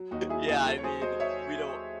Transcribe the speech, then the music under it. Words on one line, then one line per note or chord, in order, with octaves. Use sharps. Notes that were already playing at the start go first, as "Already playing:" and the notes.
yeah, I mean, we don't
Already playing: F#3
D#2 D#4 F#4
F#3 E4 G#4
D#2 E4 G#4
F#3 F#4 A4
C#5
F#3 G#4 C5
F#3 C5 D#5
C#5 E5